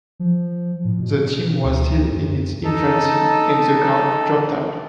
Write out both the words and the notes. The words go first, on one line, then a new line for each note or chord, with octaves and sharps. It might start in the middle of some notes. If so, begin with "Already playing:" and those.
The team was still in its infancy, and the car dropped out.
F3
A2
B2
D2
F#2
D#4 A4